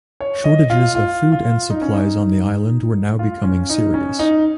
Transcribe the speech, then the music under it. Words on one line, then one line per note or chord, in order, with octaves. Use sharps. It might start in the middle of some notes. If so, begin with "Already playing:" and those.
Shortages of food and supplies on the island were now becoming serious.
C#5
D#5
F4
F4
F4
D#4
C#4
D#4
F4
C#4
D#4
C#4
D#4